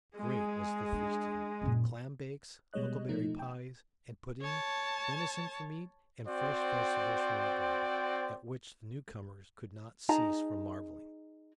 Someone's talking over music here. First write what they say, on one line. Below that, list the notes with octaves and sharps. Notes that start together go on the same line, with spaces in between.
Great was the feasting, with clam bakes, huckleberry pies and puddings, venison for meat, and fresh vegetables from our garden, at which the newcomers could not cease from marveling.
G#3 G#4
D4
F#2 A#2
B2 G3 G#3 C#5 D#5 F#6
B2 F3 A3 D#4
G5
C#5 A5
C4 F#4 C5 D5 G5
D#4 G#4 A5 A#5